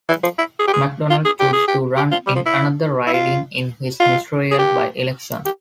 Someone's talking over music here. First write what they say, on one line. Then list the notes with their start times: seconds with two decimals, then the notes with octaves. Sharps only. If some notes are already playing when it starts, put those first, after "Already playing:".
Macdonald chose to run in another riding in his ministerial by-election.
0.09 E3
0.23 F3
0.38 E4
0.59 G#4
0.67 G4
0.73 G#4
1.10 F4
1.25 G#4
1.40 G4
1.53 G#4
1.68 G4
1.97 G4
2.12 F4
2.27 G3
2.36 F3
2.46 E4
3.07 E4
3.13 F4
4.00 F4
4.51 G#4
4.59 G4
5.46 G4